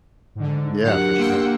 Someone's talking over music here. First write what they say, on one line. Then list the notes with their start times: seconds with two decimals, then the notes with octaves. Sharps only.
Yeah, for sure.
0.35 G#2 D3
0.85 F#3 D4 G4 A#4 F#5
1.18 A#3 G5 C6 E6